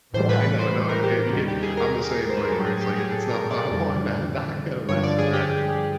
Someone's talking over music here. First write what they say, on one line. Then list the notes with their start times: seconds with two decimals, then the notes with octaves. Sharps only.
Well, I know, no, e e you get I'm the same way where it's, like, if it's not my one, I'm not gonna listen, right?
0.14 A2 E3 G3 C5
0.29 B4
0.44 B4
0.59 C5
0.89 A#4
1.04 G4
1.18 G4
1.33 D#2 D#3 G3 F#4
1.48 G4
1.63 G#4
1.77 A#4
2.30 C5
2.37 B4
2.45 A#4
2.52 F#3 A4
2.56 A2 G4
2.66 G#4
2.81 G4
2.96 G#4
3.11 A4
3.31 A#4
3.51 D5
3.71 F2 D3 G3
4.89 G2 D3 F3 C#5
5.03 D5
5.19 G#4
5.33 G4